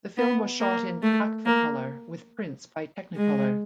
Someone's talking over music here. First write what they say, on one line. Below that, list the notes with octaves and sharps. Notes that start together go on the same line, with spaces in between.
The film was shot in Agfacolor with prints by Technicolor.
B3
A#3
A3
A#3
G#3